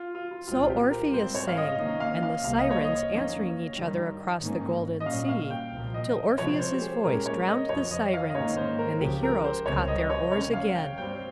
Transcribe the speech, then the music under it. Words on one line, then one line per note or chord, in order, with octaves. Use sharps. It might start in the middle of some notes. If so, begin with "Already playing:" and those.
So Orpheus sang, and the Sirens, answering each other across the golden sea, till Orpheus's voice drowned the Sirens, and the heroes caught their oars again.
Already playing: F4
F4
F4
C2 A#2 G#3 C4 F4
G4
A#4
G#2 G3 C4 C5
C#5
F5
D#5
C3 D#3 A#3 C#4 D#5
F5
F5
C2 C3 G3 A#3 F5
D#5
C#5
D#5
F2 D#3 A#3 C#4
G2 D#3 G3
G#2 D#3 A#3 C#4
D#5
A#2 G3 A#3 C#4 F5
F5
G5
C2 A#2 F3
D#5
D#5
C3 F3 G#3 C4 C#5
C5
G4
G#4
A#2 G#3 C#4 A#4
C#5
D#5
F2 C3 F3 C#5
D#5
F5
D#5
G#2 D#3 A#3 C#4 C#5
C5
A#4
C#2 C#3 F3 G4
A#4
C5
C#2 C3 G3 C4 C#5
D#5
C#5
C3 G3 A#3 C#4 C#5
F5
G5
G2 G3 C4 G5